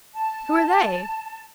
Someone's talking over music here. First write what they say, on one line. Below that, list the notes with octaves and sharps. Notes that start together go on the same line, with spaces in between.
"Who are they?"
A5